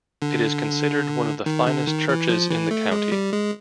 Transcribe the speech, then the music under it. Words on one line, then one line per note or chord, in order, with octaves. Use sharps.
It is considered one of the finest churches in the county.
D3
D#3
D3
D#3
E3
F3
E3
A3
G#3
G3
G#3